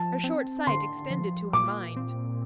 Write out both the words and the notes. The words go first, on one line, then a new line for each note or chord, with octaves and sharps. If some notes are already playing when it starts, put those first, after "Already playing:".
Her short sight extended to her mind.
Already playing: F3 A5
C4
D3 C6
F3
A#2 D6
C4